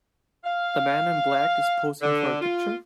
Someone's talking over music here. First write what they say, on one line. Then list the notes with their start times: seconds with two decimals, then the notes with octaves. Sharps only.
The man in black is posing for a picture.
0.44 F5
2.02 D3
2.41 F4